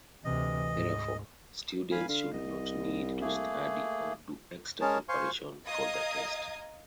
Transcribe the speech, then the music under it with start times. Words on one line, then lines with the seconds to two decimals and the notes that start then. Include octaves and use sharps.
Therefore, students should not need to study or do extra preparation for the test.
0.24 D2 C3 E3 D#5
0.72 G#2
1.91 G#1 F5 G#5 B5
2.09 D3 F5
2.33 C2 D#5
3.21 A3 A#3 G#4
4.81 G#3 C#4 G#4 A#4 C#5 A5
5.09 C5 F5 G#5 C6 C#6
5.65 D#5 F5 A#5 D#6 G#6